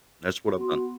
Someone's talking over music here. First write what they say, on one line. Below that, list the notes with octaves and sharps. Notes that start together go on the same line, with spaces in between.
That's what I've done.
B3 F#4 C6